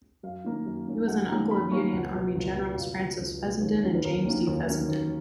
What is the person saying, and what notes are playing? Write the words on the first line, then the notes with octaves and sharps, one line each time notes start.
He was an uncle of Union Army generals, Francis Fessenden and James D. Fessenden.
F#2 F5
D#3 A#3 C#4
F#2
D#3 A#3 C#4
F#2 F#5
D#3 A#3 C#4 A#5
F#2 B5
D#3 A#3 C#4 C#6
C#2 F#5
B2 F#3
C#2
B2 F#3
C#2 F5
B2 F#3
C#2
B2 F#3
D#2
D#3 F#3 A#3 C#4 C#5
B4
D#2 A#4
D#3 F#3 A#3 C#4
D#2
D#3 F#3 A#3 C#4
D#2